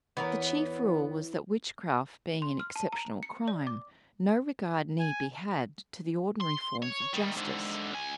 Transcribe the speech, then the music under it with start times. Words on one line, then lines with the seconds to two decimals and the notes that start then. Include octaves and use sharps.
The chief rule was that witchcraft being an "exceptional crime," no regard need be had to the ordinary forms of justice.
0.17 E2 E3 B3 E4 A#4 C#5 D5
2.42 C6
2.60 F6
2.76 A5
2.92 A#5
3.23 C#7
3.48 D5
3.67 D6
5.00 G#5
6.41 C6
6.83 C#5
7.13 D#3 G3
7.36 G#2 D3
7.93 C#2 G#5